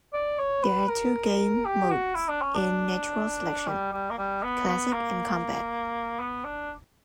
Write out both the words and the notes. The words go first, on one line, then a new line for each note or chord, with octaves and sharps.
There are two game modes in "Natural Selection": Classic and Combat.
D5
C#5
B4
A#4
G4
F#4
E4
D4
C#4
D4
G3
G3
A#3
G3
B3
B3
A#3
B3
D4